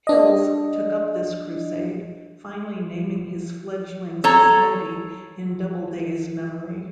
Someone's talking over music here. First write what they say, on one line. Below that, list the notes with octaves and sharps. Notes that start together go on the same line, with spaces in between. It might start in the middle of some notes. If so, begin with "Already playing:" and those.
Hills took up this crusade, finally naming his fledgling society in Doubleday's memory.
D4 D#5
A4 C#5 A#5